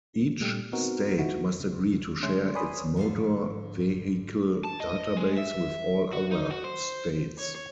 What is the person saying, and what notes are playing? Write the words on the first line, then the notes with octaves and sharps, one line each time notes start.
Each state must agree to share its motor vehicle database with all other states.
A#2 G3 A3 G4
B3 C4 D#4 F#4 A#4
D#4 E4 F#4
C#3
D3 G#3 C#4 E5 C6
C#5 D5 G#5 B5 C6 D#6
G#2 D3 F3 B4 F5
A5
D#5
G#3
E5
F#4
D#4
F#4
C5
C#5